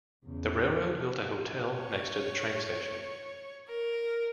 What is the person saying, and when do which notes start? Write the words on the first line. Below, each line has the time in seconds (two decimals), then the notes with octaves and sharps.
The railroad built a hotel next to the train station.
0.25 E2 C#3
1.76 C#5
3.67 A#4